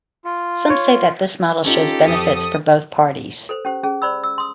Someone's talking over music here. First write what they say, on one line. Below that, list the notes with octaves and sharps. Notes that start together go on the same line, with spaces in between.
Some say that this model shows benefits for both parties.
F4
C#5
C#4 D#4 F4 G4 A4
F2 D#6
A4 B4 C5
C#4 G4 C5
C#4 G#4
C5 D5 B5 E6
E6
C6 D#6